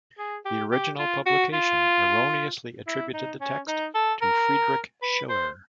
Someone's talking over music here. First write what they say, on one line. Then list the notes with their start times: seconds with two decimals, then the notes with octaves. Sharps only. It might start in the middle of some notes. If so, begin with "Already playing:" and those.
The original publication erroneously attributed the text to Friedrich Schiller.
0.19 G#4
0.45 G4
0.71 G4
0.99 F4
1.26 F#4
1.53 F4
2.87 E4
3.14 D#4
3.41 C#4
3.68 D#4
3.95 A4
4.22 A#4
5.02 B4
5.29 C5